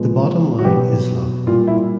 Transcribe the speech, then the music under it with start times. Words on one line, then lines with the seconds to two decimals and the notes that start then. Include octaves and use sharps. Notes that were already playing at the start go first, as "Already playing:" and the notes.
The bottom line is love.
Already playing: A#2 F3 G#3 B3
0.58 F#4
0.65 B2 F#3 B3 G4
1.47 A#2 G3 A#3 F4
1.67 E4